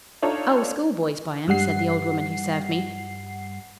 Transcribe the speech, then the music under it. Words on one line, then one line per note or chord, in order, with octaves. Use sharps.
'Oh, schoolboys buy 'em,' said the old woman who served me.
D4 D#4 F4 A4 C#5
G2 G3 F#5 C7